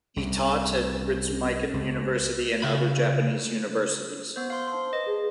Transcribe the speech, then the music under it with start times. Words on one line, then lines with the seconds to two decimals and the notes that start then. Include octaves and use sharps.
He taught at Ritsumeikan University and other Japanese universities.
0.17 C2
1.74 C#2
2.62 C#3 B5
4.36 B3 C5
4.50 F5 C6
4.68 C5 A5 C6
4.93 B4 D#5
5.06 G#4